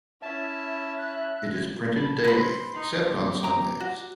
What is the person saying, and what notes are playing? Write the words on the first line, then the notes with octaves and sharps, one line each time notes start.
It is printed daily, except on Sundays.
C#4 E4 E5 A5
F#6
A5 B5
B4 C5 B5
D#4 C6
G4
G5 A#5
F#4